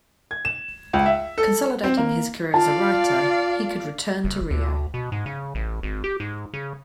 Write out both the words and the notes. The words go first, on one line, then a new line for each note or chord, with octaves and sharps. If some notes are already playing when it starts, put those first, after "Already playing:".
Consolidating his career as a writer, he could return to Rio.
G#6
E7
C#2
E5
A4
C4
A#3
F4 D5 F5 A5
F#1
D2
B2
G#2
C#3
A1
G#1
G4
G#2
C#3